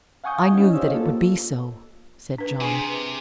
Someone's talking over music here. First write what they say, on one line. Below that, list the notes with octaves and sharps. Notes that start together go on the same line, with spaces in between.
"I knew that it would be so," said John.
F5 F#5 G#5 C#6 D#6 G6
C#4 D4 E4 D#5
G4 C5 C#5 D#5 F5 E6
A#3 F4 A4
D4 B4
C3 G#4